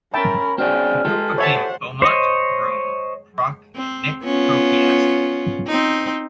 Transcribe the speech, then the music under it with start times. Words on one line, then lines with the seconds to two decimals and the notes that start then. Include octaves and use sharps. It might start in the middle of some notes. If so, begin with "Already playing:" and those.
The group became Beaumont, Groom, Proch, and Nick Pociask.
0.14 C#4 A#4 E5 G5 A5 B5
0.58 C4 D4 F#4 G#4 G5 F6
1.05 G#3 F4 G4 A4
1.38 C5 C#5 E5 F#5 A5
2.02 C5 C#5 D#5
3.76 C4
4.24 B3 C#4 F4
5.67 C4 D#4